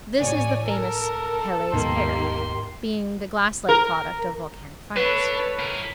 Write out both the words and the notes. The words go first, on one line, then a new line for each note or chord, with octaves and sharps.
This is the famous Pele's Hair, being the glass-like product of volcanic fires.
A1 C#5 D5 G#5
A4 A#4
D#2 G#2 D#3 A#3 B3 G4 C6
A#4
D4 A4 B4 C#5
E4 A#4